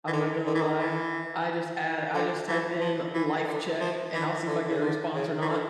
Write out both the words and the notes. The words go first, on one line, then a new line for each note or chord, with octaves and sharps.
I'm not gonna lie, I just add I just type in "life check," and I'll see if I get a response or not.
E3
D3
D3
E3
D3
E3
D3
E3
F3
E3
D3
F3
E3
D3
C#3
D3
C#3
E3
D3